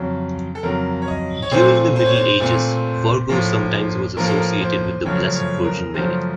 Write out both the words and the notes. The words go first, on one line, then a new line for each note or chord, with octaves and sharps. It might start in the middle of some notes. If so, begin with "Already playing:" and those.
During the Middle Ages, Virgo sometimes was associated with the Blessed Virgin Mary.
Already playing: F2 C#3 F#3
A4
F2 C#3 F#3 A#4
C#5
D#5
C#5
A#2 A3 C4 C5
C5
C#5
C5
A#2 A3 C4
A2 F3 A#3
A2 F3 A#3 A#4
A4
A#4
C5
F#2 C#3 F3 A3 C#5
C#5
A#4
F#2 C#3 F3 A3 C5